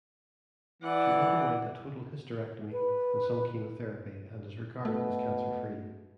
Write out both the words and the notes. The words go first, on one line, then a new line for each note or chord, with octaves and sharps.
She underwent a total hysterectomy and some chemotherapy, and is regarded as cancer-free.
E3 D5 F#5
B4
B2 A3